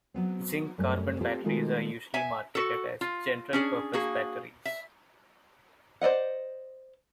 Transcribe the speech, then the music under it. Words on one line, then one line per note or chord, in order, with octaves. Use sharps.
Zinc-carbon batteries are usually marketed as "general purpose" batteries.
F#3 B3 C4
F#2 G3 A3
C4 F4 G4 A4 B4 C5
D#3 G#3 A3 D#4 F4 F#4
E5 G#5
F#4 A4
F4
C#4 D4 G#4
A#3 F#4 G#4
E5
C5 D5 D#5 F#5